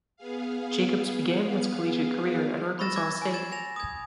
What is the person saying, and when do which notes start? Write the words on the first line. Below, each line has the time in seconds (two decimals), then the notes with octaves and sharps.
Jacobs began his collegiate career at Arkansas State.
0.17 B3 G#4 F5
2.79 B5 C#6 E6 A6 A#6 E7
2.96 D6 G#6
3.22 G#5
3.34 G#6 A6 E7
3.52 G#5 A#6 F7
3.76 D#6 G#6